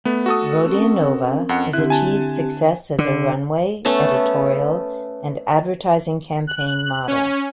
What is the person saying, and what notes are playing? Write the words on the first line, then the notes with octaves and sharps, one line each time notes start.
Vodianova has achieved success as a runway, editorial, and advertising campaign model.
A3 B3
F#4 A4 D#6
C4 C#4 A#4
F2 F#5
D3 C4 E4 G4 F#6
G#5 A5
D3
A3 B3 C#4 A4
F#6
C#4